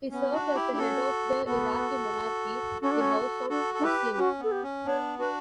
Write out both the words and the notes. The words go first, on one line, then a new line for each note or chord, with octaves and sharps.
He served as the head of the Iraqi monarchy-the House of Hashim.
B3 C#4
D4 F#4
E4 G4
D4
C#4 F#4 A4
B3 F#4 A4
C#4 F#4 A4
D4
C#4
D4 F#4 A4
A4
D4
E4 G4 B4
C#4 F#4
B3 A4
G4
C#4
B3 D4 C#5
D4 F#4 B4